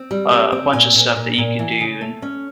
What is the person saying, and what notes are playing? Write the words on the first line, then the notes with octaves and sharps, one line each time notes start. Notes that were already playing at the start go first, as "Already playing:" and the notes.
a bunch of stuff that you could do and
Already playing: C4
G3
C4
C4
A#2 G#5
A#2
A#2
A#2
E3
C#3
A3
C#4